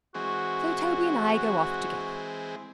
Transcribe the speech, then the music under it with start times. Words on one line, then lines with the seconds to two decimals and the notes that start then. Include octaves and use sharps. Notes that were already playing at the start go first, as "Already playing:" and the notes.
So Toby and I go off together.
0.15 E3 G#3 C4 F#4